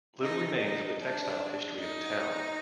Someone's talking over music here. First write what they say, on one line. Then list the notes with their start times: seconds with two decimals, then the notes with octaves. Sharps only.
Little remains of the textile history of the town.
0.22 D#4
0.61 D#4
1.00 D4
1.79 D#4